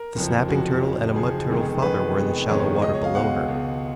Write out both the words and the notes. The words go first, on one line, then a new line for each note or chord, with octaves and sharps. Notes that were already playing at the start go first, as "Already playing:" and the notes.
The Snapping Turtle and a Mud Turtle Father were in the shallow water below her.
Already playing: A#4
F#1 F2 F3
F#1 F2 F3 F#4
F#1 F2 F3
F#1 F2 F3 G#4
F1 F2 D#3 G#3 B3
F1 F2 D#3 G#3 B3 B4
F1 F2 D#3 G#3 B3
F1 F2 D#3 G#3 B3 C#5
C#2 B2 G#3 D#5
C#5
F5
C#2 B2 G#3 F#5
C#2 B2 G#3